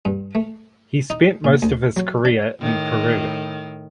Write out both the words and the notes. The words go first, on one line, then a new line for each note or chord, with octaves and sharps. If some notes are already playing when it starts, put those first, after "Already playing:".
He spent most of his career in Peru.
G2
A3
D#4
A#2
D2
F#3
D4
A2 D#3